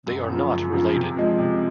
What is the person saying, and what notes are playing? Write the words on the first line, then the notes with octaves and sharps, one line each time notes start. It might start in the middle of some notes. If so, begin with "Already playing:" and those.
They are not related.
F#2
C#3 F3
F#2
C#3 F3
C3
F3 G#3
C3